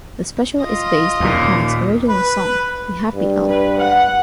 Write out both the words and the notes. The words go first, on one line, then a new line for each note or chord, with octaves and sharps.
The special is based on Connick's original song, "The Happy Elf".
F4 D#5
D#2 A#2
B4
G2
B4
F#5